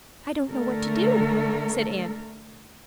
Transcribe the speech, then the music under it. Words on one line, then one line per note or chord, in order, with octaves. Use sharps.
"I don't know what to do," said Anne.
D3 A3 A4 A#4